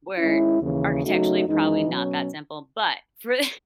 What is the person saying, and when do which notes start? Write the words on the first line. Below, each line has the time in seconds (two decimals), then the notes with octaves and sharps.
Where architecturally, probably not that simple, but for i
0.17 D#3 G#3 C#4 E4
0.59 D#2 C#3 E3
1.03 C#3 F#3 A3 D#4 F#4
1.45 F#2 E3 G#3 D#4
1.88 B2 F#3 C#4